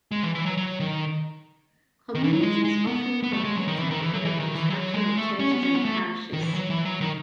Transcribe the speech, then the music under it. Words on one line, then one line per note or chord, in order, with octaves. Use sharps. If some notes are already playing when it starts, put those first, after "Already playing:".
Communities often competed over the construction of churches and parishes.
G#3
E3
E3
F#3
F#3
D#3
D#3
E3
F#3
G#3
G#3
B3
B3
A3
G#3
F#3
D#3
E3
D#3
E3
F#3
E3
D#3
E3
F#3
G#3
A3
C#4
B3
C#4
B3
A3
D#3
E3
F#3
E3
F#3
D#3